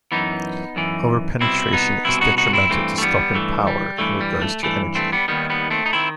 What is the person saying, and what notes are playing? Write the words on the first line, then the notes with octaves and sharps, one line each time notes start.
Over-penetration is detrimental to stopping power in regards to energy.
F#2 E3 B3 D#4
F#2 E3
C2 B2 C4 E4
B3 D#4
C2 B2 C4 E4
D#4 F#4
D#4 F#4
C4 E4
G2 E3 A3 C4
A3
G3 B3
G2 E3 A3
G3
G2 E3 A3
G3
A3
G2 E3 A3
A3 C4
G3 B3
D#2 D#3 G3 B3
G3 B3
A3 C4
D#4
D#3 C4 E4